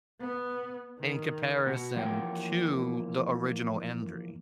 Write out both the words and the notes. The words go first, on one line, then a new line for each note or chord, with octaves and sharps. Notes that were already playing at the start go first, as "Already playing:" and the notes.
in comparison to the original injury?
B3
D#3
B2 F#4
E3 F3 A#3 C#5 F#5 G5